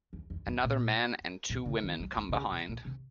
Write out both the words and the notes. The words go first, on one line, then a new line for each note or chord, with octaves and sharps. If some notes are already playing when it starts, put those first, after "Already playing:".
Another man and two women come behind.
F2
F2
F#2
A#2
A#2
C#3
D#3
F#3
A#3
C3
C#3
C3
A#2
C3